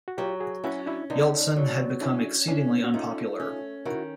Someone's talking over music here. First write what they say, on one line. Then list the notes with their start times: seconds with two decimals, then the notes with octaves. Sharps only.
Yeltsin had become exceedingly unpopular.
0.08 F#4
0.18 F#3 F4 G4
0.40 F#4 G#4
0.64 C#4 E4 F#4
0.86 D4 E4
1.10 D3 D#4
1.56 F#3
2.01 C#4 D4 E4
2.47 C#4 D4 E4
2.84 F#4
2.94 A3 D#4 F4
3.40 C#4
3.85 D#3 E4 F#4